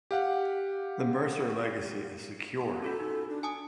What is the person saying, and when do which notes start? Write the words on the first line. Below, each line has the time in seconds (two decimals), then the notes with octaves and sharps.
The Mercer legacy is secure.
0.11 G4 F5 F#5
2.61 B3 C6
2.82 C#4 F4 F#4 A4
3.00 D#4
3.29 D4
3.43 G#5 A5 D#6